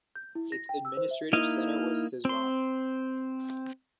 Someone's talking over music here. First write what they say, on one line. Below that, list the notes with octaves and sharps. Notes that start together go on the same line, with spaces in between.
Its administrative centre was Syzran.
G6
E4
A#6
G5
E6
C5
E5
A#3 D#4 E4 D#5 F5
C4 C6